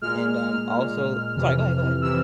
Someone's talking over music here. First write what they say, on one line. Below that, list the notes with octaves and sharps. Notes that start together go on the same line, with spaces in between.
and, um, also sorry, go ahead, go ahead.
A#2 G#3 F6
F6
A#2 G#3
F2 C3 E3
C3 E3 E6